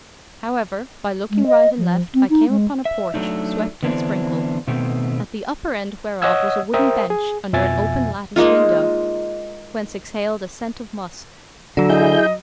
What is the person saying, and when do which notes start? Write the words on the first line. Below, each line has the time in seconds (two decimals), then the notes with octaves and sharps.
However by looking right and left I came upon a porch swept and sprinkled, at the upper end whereof was a wooden bench under an open lattice-window, whence exhaled a scent of musk.
1.31 G#3
1.47 D#5
1.78 F3
2.14 C4
2.30 D#4
2.49 G#3
2.85 E5
3.14 F#3 A3 D4 D#4
3.83 D3 E3 B3 C4 D4 E4
4.67 B2 D#3 A3 B3 C4
6.22 C#5 D#5 F#5 D#6 E6 G#6
6.74 A#4 C5 E5 G5 D#6
7.10 G#4
7.53 F2 B2 F3 E5 G#5 A6
8.36 G#3 A#3 D#4 F4
11.77 D3 F#3 F#4
11.89 E4 G#4 D#5 G6